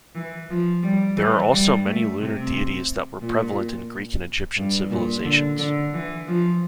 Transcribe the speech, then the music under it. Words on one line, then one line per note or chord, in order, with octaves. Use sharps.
There are also many lunar deities that were prevalent in Greek and Egyptian civilizations.
E3
F3
G3
E3
G3
A3
C3
A#2
G2
A#2
D3
D3
E3
F3